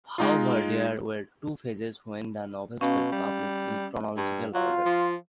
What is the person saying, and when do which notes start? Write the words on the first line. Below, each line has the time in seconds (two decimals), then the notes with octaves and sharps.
However, there were two phases when the novels were published in chronological order.
0.18 G#3 D#4 F4
2.81 B2 C#4 F5
3.12 G3
4.17 G2
4.54 F#3 F4
4.85 F3